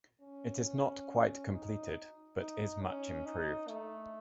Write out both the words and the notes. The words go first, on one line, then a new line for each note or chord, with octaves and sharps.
It is not quite completed but is much improved.
C#4
D#4
D#4
C#4
D#4
A3